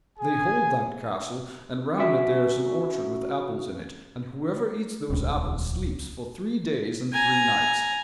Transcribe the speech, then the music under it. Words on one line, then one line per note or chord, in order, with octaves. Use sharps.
They hold that castle, and round it there is an orchard with apples in it, and whoever eats those apples sleeps for three days and three nights.
G#4 G#5
C#4 F#4 E5
D#1 C#2
G#5 A#5